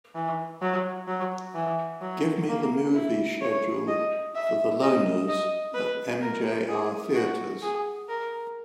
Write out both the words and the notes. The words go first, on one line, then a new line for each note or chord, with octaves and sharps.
Give me the movie schedule for The Loners at MJR Theatres.
E3
F#3
F#3
E3
F#3
A#3
E4
C#5
D#5
E5
D#5
D#5
B4
A#4
G#4
F#4
G#4
A#4